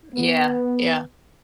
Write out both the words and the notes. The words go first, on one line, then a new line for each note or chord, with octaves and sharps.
Yeah, yeah.
B3